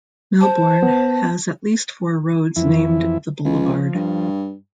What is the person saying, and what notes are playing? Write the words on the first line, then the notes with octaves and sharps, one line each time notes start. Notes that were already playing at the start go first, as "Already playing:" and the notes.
Melbourne has at least four roads named the Boulevard.
C5 A5
B3
F2 E3 E4
C#2
F3
G2